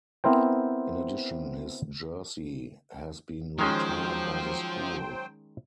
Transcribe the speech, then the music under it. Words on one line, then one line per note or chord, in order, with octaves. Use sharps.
In addition, his jersey has been retired by the school.
B3 C4 E4 A#4 C5 G5
D#3 F3 F#3 G#3 C#4 C5 G5